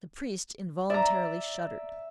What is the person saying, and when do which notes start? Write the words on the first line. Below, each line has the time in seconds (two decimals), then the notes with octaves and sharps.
The priest involuntarily shuddered.
0.90 D5 E5 A#5